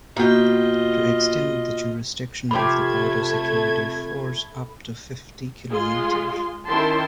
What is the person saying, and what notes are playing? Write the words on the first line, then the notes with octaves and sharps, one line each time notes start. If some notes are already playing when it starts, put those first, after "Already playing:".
To extend the jurisdiction of the Border Security force up to fifty kilometres.
B2 A#3 F4 D#5 G5
C3 F3 A3 G4 A4 B5 G#6
G#3 F4 G#4 C6
D#3 C#4 E4 G5 A5 C6